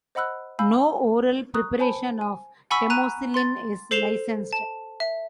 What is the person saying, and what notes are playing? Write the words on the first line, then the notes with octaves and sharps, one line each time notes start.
No oral preparation of temocillin is licensed.
C5 D#5 F#5 B5 E6 F#6
F5 G#5 B5 E6 G6
A#5 C#6 D#6 F#6
C5 G#5 A5 B5
G#5
F#5 G#5 B5 C#6 E6 B6
A#5 F#6 D#7
C6 A6
A4 C5 C7 E7 F7 G7
A5
E5